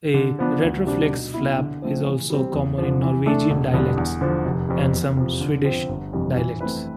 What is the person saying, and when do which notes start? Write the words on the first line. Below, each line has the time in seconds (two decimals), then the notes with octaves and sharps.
A retroflex flap is also common in Norwegian dialects and some Swedish dialects.
0.14 D3
0.39 F3 B3 D4
0.63 D2
0.87 C3 G3 D4
1.11 B2
1.34 B3 E4
1.58 D3
1.82 F3 A3 C4
2.06 E3
2.30 G3 C4
2.54 E2
2.78 D3 F3
3.02 E3
3.26 A3 D4 A4
3.50 E1
3.73 E2 D3 G3 D4
3.97 E2
4.21 D3 F3
4.45 F1
4.69 F2 C3
4.93 E2
5.17 C3 F3
5.41 D3
5.64 F3 C4
5.89 G1
6.13 F2 C3 E3 G3
6.36 E3
6.61 A3 C4 E4 B4